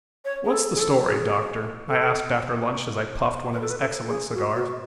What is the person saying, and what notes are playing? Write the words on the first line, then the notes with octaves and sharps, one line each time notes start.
"What's the story, Doctor?" I asked after lunch as I puffed one of his excellent cigars.
C#5
G#4
A4
G#4
A4
G#4
A4
B4
A4
B4
A4
G#4
F#4
F#4